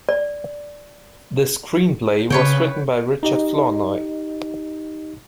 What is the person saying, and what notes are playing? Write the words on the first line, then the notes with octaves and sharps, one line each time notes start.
The screenplay was written by Richard Flournoy.
D5
C#3 B4 C#5 G5
D#4 G4 D#5